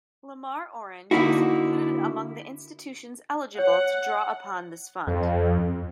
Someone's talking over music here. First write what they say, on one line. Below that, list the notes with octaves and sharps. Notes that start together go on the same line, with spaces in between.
Lamar-Orange was included among the institutions eligible to draw upon this fund.
D3 A#3 D#4 E4 F#4
C#5 F#5
F2